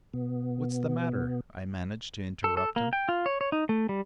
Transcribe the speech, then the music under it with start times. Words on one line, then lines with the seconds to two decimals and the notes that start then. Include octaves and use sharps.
"What's the matter?" I managed to interrupt him.
0.14 B2 B3
2.44 A4
2.57 A4
2.76 A#3
2.93 G5
3.09 F4
3.26 C#5
3.41 C#5
3.52 D#4
3.69 A3
3.89 G3